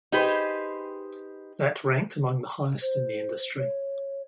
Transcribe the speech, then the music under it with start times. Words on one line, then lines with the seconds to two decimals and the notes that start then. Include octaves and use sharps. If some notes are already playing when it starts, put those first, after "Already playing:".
That ranked among the highest in the industry.
0.12 D#4 G4 G#4 B4 C5
2.82 C5
3.58 C#5